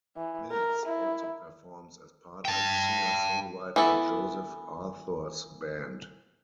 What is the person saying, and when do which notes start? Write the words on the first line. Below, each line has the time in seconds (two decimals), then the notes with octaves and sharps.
Mills also performs as part of singer-songwriter Joseph Arthur's band.
0.16 E3
0.51 A#4
0.85 E4
2.45 G5 A5
3.76 E3 B3 E4 A4